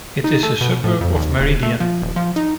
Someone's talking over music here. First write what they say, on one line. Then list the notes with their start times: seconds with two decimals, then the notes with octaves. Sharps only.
It is a suburb of Meridian.
0.24 D#4
0.43 A3
0.61 B2
0.84 A2
1.01 F2
1.16 D#2
1.40 D#1
1.63 A3
1.80 F3
2.02 D#1
2.16 F3
2.36 D#4